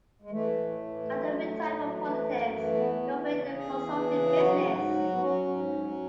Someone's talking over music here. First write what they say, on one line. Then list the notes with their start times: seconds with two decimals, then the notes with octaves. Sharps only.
After retiring from politics, he operated a consulting business.
0.22 G#3
0.30 E3 A3
0.57 A2
0.85 E3
1.11 F#3
1.39 A2
1.66 F#3
1.93 E3
2.20 F#2
2.48 E3
2.74 E2 B3
3.02 E3
3.29 C#3
3.56 E2 G#4
3.83 E3
4.11 C#3
4.37 F#3 F#4
4.64 G#2
4.92 F#3
5.10 B3
5.18 F#3 C#4
5.45 G#2
5.73 F#3